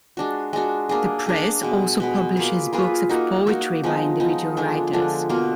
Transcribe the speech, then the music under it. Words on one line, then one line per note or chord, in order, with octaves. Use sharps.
The press also publishes books of poetry by individual writers.
G#3 D4 F#4
G#3 D4 F#4
A#3 D4 G#4
A#3 D4 G#4
B2 G#3 B3
B2 G#3 B3
A#3 F4 G#4 B4
A#3 F4 G#4 B4
A#3 D#4 F#4
A#3 D#4 F#4
F3 G#3 B3 D#4
F3 G#3 B3 D#4
D3 F3 G#3 D4
D3 F3 G#3 D4
B2 A#3 F4